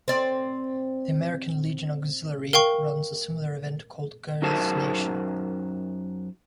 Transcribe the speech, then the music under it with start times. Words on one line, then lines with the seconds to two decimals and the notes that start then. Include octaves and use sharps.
The American Legion Auxiliary runs a similar event called Girls Nation.
0.08 C4 D5
2.53 A#4 F5 G5 C#6
4.42 F#2 D#4 F#4 A#4 C5 A5